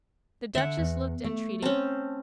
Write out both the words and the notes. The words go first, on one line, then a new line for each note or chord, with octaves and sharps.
The Duchess looked entreaty.
D3 E5 F#5
E2
A3
C4 C#4 A5